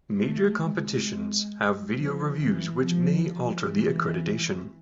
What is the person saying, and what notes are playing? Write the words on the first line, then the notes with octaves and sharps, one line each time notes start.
Major competitions have video reviews which may alter the accreditation.
A3
G#3
F3
E3
F3
F3
E3